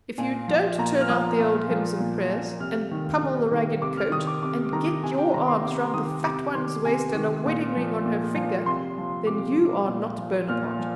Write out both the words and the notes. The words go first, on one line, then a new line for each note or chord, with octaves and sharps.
If you don't turn out the old Hymns-and-prayers, and pummel the Ragged coat, and get your arms round the fat one's waist and a wedding-ring on her finger, then you are not Bonaparte.
A#2 G#5
F3
A#2 A#5
F6
F3 D#6
A#2
F3
A#2
F3
C3 F6
D#3
C3
D#3
C3 D6
F6
D#3 D#6
D6
C3 D6
D#3 A#5
C3 G#5
G5
D#3 A#5
C6
C3 D6
D#3 D#6
C3 D6
D#3 C6
C3 G#5
D#3
A#2
F3
A#2
F3
C3 C6
F3
C3 D6
F3
A#2
F3
A#2 F6
F3